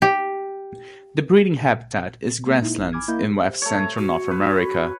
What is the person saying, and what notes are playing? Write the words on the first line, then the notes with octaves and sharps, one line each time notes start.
The breeding habitat is grasslands in west-central North America.
G4
G#3 A#3
A#3 D#4 E4
G#1
G#5 B5 D6 F6 G#6
A#3 E4 D#5 E5 B5 G6
A3 C#5
A#5
F#4
B4